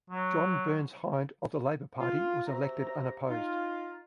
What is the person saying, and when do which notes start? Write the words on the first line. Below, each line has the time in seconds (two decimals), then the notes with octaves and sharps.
John Burns Hynd of the Labour Party was elected unopposed.
0.10 F#3
2.00 F4
2.47 C4 F#4 G4 E5 A#5
3.28 D#4 F4